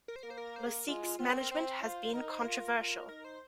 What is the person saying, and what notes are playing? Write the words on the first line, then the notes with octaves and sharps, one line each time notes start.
Losique's management has been controversial.
A#4
C5
A#3 A#4
C5
A#4
C5
G#4
A#4
G#3 F4
F4
C4 F4
G#4
A#4
C4 C5
F4
C5
D#4 A#4
C5
C5
F4 A#4
F4
D#4 A#4
C5